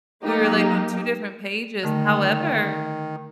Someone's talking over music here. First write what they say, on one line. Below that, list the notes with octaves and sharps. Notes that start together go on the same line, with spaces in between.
We were, like, on two different pages. However,
F#3 A#3 D#4 G4
D3 D#3 A3